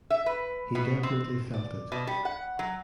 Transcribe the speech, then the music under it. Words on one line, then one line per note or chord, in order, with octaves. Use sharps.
He definitely felt it.
E5
B4
B2
C4
D5
B2
G3
F#5
F#3